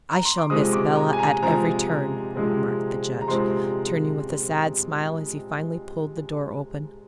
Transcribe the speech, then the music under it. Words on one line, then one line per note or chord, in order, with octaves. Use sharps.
"I shall miss Bela at every turn," remarked the judge, turning with a sad smile as he finally pulled the door open.
A#5
C6
D6
C3 F3 G#3 C4 D#6
D6
A#5
G#5
A#5
C3 F3 G#3 C4 A#5
C3 F3 G#3 C4
A#5
C3 F3 G#3 C4 C6